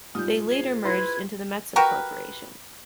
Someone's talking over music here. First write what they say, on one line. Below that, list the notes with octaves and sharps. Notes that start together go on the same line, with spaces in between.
They later merged into the Metso Corporation.
G#2 G3 F4 D#6 G6
G#4 C5
E4 B4 C6 G#6
F#4 G4 A#4 B4